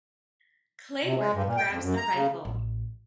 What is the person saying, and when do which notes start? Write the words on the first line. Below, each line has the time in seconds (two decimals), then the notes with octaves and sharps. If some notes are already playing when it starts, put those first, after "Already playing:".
Clayworth grabs the rifle.
1.04 C3
1.18 G#3
1.34 G2
1.45 A#2
1.57 G5
1.70 F2
1.82 F#2
1.97 A#5
2.13 C#3
2.45 A1